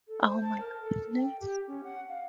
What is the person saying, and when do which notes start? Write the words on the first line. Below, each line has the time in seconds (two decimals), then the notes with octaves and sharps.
Oh my goodness.
0.08 A4
0.25 C5
0.41 A5
0.60 A#4
0.81 A4
1.15 G5
1.40 G4
1.67 C#4
1.84 F#5
2.09 F5